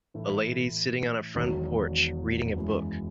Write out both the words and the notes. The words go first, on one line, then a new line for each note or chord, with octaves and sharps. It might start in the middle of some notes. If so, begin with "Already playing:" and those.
A lady sitting on a front porch reading a book.
A2 E3 A3 E4
E1 E2 D#3 F#3
F#2 E3 G#3